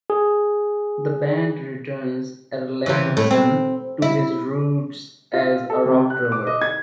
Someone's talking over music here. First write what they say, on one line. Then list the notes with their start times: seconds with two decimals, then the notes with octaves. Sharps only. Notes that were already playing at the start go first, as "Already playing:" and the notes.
The band returns Erlandsson to his roots as a rock drummer.
0.10 G#4
2.86 C3 E3
3.17 A2
3.31 C4
4.02 E4
5.33 F4
5.70 A4
5.86 C3
6.10 F#6
6.32 D6
6.47 D#5
6.61 G#6